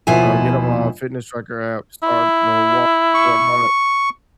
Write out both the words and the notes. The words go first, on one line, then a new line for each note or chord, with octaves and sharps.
uh, get on my fitness tracker app, start the walk or whatnot,
D#2 B2 F3 E4 G#5
E4
C#6